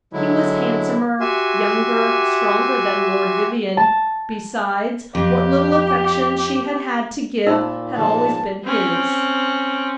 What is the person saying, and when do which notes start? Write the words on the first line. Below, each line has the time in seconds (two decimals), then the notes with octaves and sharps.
He was handsomer, younger, stronger than Lord Vivianne; besides, what little affection she had had to give had always been his.
0.13 D3 F#3 G#3 E4
1.21 F#4 G4 E5 G#5 C6
3.77 A5
5.15 F2 G4
7.46 A#2 D#4 C5 G5 A5 B5 E6
7.97 G#2 F3 G#3 A5
8.64 C4 C#4